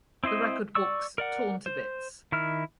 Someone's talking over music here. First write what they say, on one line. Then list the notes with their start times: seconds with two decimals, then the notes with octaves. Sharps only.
The record books torn to bits.
0.24 C4 E4 C5 D#5
0.75 D5 C#6 E6
1.18 A#4 D5 F#5
1.66 C5
2.32 D#3 E4 F6